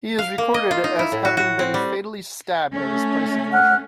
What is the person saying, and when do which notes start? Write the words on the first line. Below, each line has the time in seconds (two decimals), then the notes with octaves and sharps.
He is recorded as having been fatally stabbed at his place of worship.
0.18 F5
0.38 A#3
0.54 D#5
0.71 F4
0.84 D#4
0.99 E4
1.12 A2
1.25 F#4
1.37 F#4
1.59 C4
1.74 G3
2.73 A3 C#4
3.52 F#5 F6 F#6